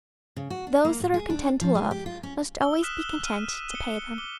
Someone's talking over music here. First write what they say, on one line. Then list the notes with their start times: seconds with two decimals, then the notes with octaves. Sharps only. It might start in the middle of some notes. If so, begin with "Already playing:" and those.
Those that are content to love must always be content to pay them.
0.36 C#3
0.50 F#4
0.67 D4
0.85 A#3
1.00 A2
1.14 G#4
1.30 D4
1.61 F3
1.75 G#3
1.91 G4
2.06 F4
2.23 C#4
2.61 E6 G7
2.82 D#6 F6 F#6 B6 E7
3.01 G7
3.24 F6 D#7
3.71 C#7 G7
4.18 D6 G7